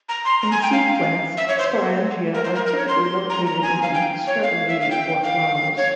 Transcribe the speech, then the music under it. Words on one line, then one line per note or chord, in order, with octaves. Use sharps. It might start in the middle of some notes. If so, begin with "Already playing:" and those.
In seed plants, sporangia are typically located within strobili or flowers.
A#5
C6
A#5
G#5
G5
F5
E5
C#5
C5
A#4
C5
A#4
A#4
C#5
C6
A#5
A#5
G#5
F5
G5
C#5
F5
E5
F5
G5
F5
C#5